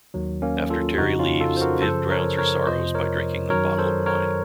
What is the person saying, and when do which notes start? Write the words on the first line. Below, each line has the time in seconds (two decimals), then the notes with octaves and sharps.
After Terry leaves, Viv drowns her sorrows by drinking a bottle of wine.
0.14 D#2 D#3 F#3
0.42 A#3 C#4
0.70 F4 A4
0.98 F2 C#3 F3 D#4 F#4
1.19 C#4 F4
1.41 F4 A4
1.57 C5
1.61 F#4 A#4
1.82 F#2 C#3 F3 A4 C5
2.10 A#4 C#5
2.38 A#4 C#5
2.66 F2 C3 F3 C5 D#5
2.95 A#4 C#5
3.50 F#2 D#3 F#3 A#4 C#5
3.78 A4 C5
4.06 A#4 C#5